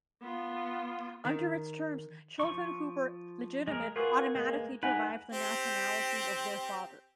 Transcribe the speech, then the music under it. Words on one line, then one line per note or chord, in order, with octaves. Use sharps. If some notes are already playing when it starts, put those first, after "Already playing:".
Under its terms children who were legitimate automatically derived the nationality of their father.
B3 F4
D#3
F3 C#6
G#3 A#4
F4 F#4 G#4 A#4 B4
G#3 A#3
G#3 D#4 A#4 B4 F#5 G#5
C4 G4